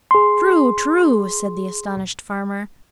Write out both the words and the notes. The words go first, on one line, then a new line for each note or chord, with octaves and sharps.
"True, true!" said the astonished farmer.
G#4 C6